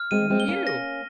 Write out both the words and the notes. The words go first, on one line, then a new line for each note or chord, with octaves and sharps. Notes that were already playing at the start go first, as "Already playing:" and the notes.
And you!
Already playing: F6
G#3 C4 D#7
G#3 C4
G7
A#3 C#4
A#6